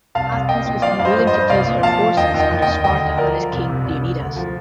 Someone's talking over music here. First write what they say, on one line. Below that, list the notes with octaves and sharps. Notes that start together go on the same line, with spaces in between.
Athens was unwilling to place her forces under Sparta and its King Leonidas.
C2 F5 A5
C2
C2 D#5 G5
A#2
F3 D5 F5
G2 F5
C5 D#5
F3
C5 D#5
G2
C2 D5 F5
A#2
F3 F5 A5
F3
D#2 D#5 G5
D#2
D#5 G5
D#2
D#5 G5
D#2
D2 D#5 G5
D3
F3 A#4 D5
F3
C2
C3
C2
C2
D2
F3